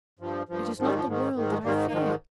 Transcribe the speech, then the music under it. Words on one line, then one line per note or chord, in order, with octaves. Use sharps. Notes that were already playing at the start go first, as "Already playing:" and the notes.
It is not the world that I fear!
G2 F3
G2 F3
G#2 D#3 F3
G3
F3
G#2 D#3
G#2 D#3
F3 G#3
G#2 D#3 G3 A#3
A#3
G#2 D#3 F3 G#3
F3 G#3